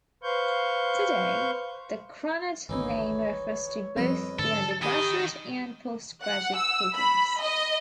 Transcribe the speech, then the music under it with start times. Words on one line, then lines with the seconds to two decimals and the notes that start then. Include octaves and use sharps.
Today, the Krannert name refers to both the undergraduate and post-graduate programs.
0.23 B4 C5 F5 C#6 G6
2.69 G#1 D2 E3 D#4 E4 C#5
3.97 F2 F3 G3 C4 B4 D#5
4.39 G#2 D3 A4
4.82 D#3 G4 D#5 G#5 A5 B5
6.23 F#5
6.56 E6
6.95 B5
7.42 D#5